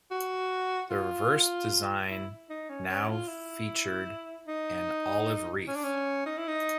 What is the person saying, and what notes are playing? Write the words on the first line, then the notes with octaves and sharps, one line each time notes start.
The reverse design now featured an olive wreath.
F#4
F4
E4
D#4
C#4
C#4
F4
E4
D#4
C#4
D4
C#4
D#4
E4
D#4